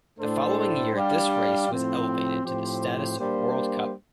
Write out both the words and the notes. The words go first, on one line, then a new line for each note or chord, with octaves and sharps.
The following year this race was elevated to the status of World Cup.
A2 A3 D4 A4 C5
G3 D4 G4 D5 F5
A2 F3 C4
A2 F3 C4 G4 C5
G3 A#3 D4 G4 C5